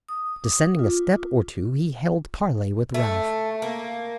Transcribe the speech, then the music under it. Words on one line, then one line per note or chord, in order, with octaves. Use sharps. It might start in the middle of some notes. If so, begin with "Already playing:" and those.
Descending a step or two he held parley with Ralph.
D#6
D6
F4
A3
A#3